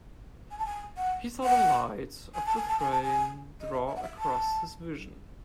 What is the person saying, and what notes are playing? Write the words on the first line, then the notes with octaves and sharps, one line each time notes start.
He saw the lights of the train draw across his vision.
G#5
A5
G#5
F#5
F#5
G#5
A5
G#5
A5
G#5
A5
G#5
D#5
E5
E5
F#5
E5
A5